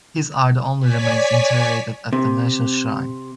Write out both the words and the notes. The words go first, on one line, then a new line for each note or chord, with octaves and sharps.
His are the only remains interred at the national shrine.
C#5 D5 G#5 B6
C3